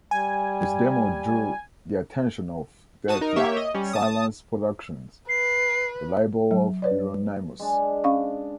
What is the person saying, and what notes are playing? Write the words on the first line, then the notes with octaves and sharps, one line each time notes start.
This demo drew the attention of Deathlike Silence Productions - the label of Euronymous.
G3 G#5
F#4 A5 D#6
D#4 A#4
A#3 G4 C#5 E5
D#5
G3 C#4
A5 D#6
B4 C7
F#3
B4 C#5 D5
G#3 D4
C#4 F5 C#6